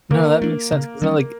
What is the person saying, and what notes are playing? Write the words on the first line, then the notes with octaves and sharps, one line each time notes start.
No, that makes sense, 'cause I like
D3 A#3
A3 D4
C#3
E3 G3 C#4